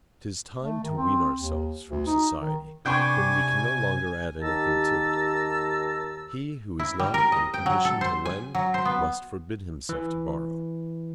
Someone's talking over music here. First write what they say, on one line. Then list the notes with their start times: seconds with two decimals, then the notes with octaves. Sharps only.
'Tis time to wean ourselves from society when we can no longer add anything to it; he who is not in a condition to lend must forbid himself to borrow.
0.60 A3
0.83 D#3
0.97 C4
1.35 D#2
1.89 D2
2.06 D#4
2.41 D#3
2.86 C3 D4 G5 G#5 B5 C#6 G6
4.42 D#2 D#3 G4 A5 A#5 E6
6.79 E4
6.99 G3
7.14 A#4
7.32 D#5
7.54 G5
7.66 F#3
7.85 A4
8.01 C5
8.25 G#5
8.55 F#3
8.74 C5
8.85 B3
9.89 E3